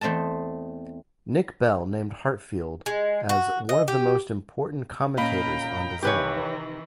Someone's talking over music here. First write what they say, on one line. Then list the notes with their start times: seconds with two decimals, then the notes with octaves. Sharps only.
Nick Bell named Heartfield as "one of the most important commentators on design".
0.01 E2 A3 C4 D#5 A5
2.86 G#3
3.29 F#4
3.69 D#5
3.88 G4
5.17 A#2 C#4 D#5 F5 G5 A#5 B5
6.02 C3 D#3 E3 D#4 G4 B4 C#5 G#5